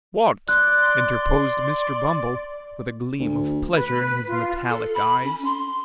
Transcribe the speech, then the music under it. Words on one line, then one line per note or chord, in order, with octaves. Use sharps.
What?' interposed Mr. Bumble: with a gleam of pleasure in his metallic eyes.
D5 C6 F#6
D2
B4
F4
A4
B5
C#4
C6